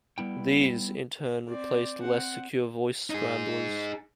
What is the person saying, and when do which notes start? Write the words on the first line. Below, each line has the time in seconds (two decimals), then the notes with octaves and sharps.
These, in turn, replaced less secure voice scramblers.
0.18 G3 B3 E4 G5
1.49 C4 D5
2.01 C4 F#5
3.10 D#4 G#4